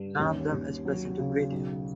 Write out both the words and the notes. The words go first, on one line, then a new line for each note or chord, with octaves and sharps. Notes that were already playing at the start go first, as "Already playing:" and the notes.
None of them is present to greet him.
Already playing: G2
D#2 C#4
D#2
F#3
C#3
B1